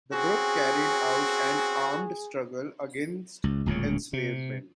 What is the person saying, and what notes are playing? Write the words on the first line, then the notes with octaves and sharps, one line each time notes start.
The group carried out an armed struggle against enslavement.
C4 C#4 F#4 G#4
C#2
D1 C#2 A#2 C#3
C3